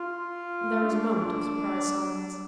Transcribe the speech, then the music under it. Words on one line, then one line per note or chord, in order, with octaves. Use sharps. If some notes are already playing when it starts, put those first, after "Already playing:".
There was a moment of surprised silence.
Already playing: F4
D4